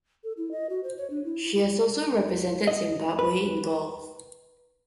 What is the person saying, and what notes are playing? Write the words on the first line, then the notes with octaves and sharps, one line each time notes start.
She has also represented Zimbabwe in golf.
A4
E4
D#5
F#4
C5
C#5
D4
E4
E4
G4
D5
D#5
B4